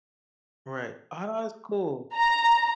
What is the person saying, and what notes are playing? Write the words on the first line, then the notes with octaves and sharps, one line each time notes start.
Right, ah, that's cool.
A#5